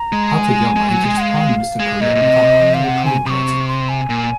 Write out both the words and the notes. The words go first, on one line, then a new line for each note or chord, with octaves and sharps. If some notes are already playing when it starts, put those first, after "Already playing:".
Hatoyama entered his prime minister career with a high approval rating.
Already playing: A#5
G#3
G#5
G#3
F#3
G#3
F#5
F5
G#3
A#2 D#5
A#2
C3
F5
F#5
G#5
C3 C#6 D#6
C6
G#5
A#2